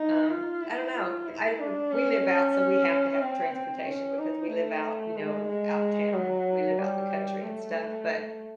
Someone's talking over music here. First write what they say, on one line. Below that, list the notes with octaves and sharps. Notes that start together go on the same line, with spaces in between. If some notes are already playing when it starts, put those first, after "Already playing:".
um, I don't know, I live we live out so we have to have transportation because we live out, you know, out of town, and we live out in the country and stuff, but,
Already playing: D#4
F4
E4
F4
E4
D4
C#4
C#4
C4
C4
C#4
D#4
A3
G#3
G#3
F#3
G3
A3